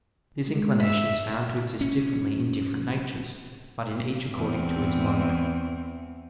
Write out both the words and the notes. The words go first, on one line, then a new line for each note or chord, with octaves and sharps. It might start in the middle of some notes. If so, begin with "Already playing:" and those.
This inclination is found to exist differently in different natures; but in each according to its mode.
G#3
E5
C#4
E2 C4